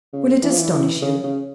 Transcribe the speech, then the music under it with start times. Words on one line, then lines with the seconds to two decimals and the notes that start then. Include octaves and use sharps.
Will it astonish you?
0.13 C#3
0.43 E3
0.50 F3
0.58 E3
0.72 E3
1.02 C#3
1.24 C#3